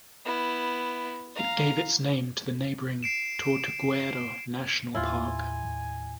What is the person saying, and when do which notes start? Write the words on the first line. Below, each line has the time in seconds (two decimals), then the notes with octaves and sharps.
It gave its name to the neighboring Tortuguero National Park.
0.25 B3 E4
1.35 F5 A#5
3.03 C7 D7 E7
4.95 D#2 A2 E4 F4 G#5